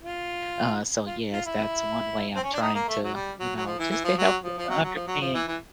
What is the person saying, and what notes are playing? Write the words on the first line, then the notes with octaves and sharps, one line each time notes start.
Uh, so yes, that's one way I'm trying to, you know, just to help them to understand
F4
F4
F4
E4
C4
C#4
D4
D#4
A#3
A3
F#3
G3
F#3
F#3
F3
E3
E3
F3
F#3
F3
F3
F#3
F#3
F3
F#3
F3
E3
E3